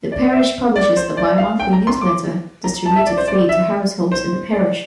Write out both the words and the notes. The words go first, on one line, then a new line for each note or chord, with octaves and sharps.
The parish publishes a bi-monthly newsletter distributed free to households in the parish.
D5
E5
D5
C5
D5
F5
G5
A#5
C6
D6
A#5
A5
E5
D5
C5
D5
E5
C5
D5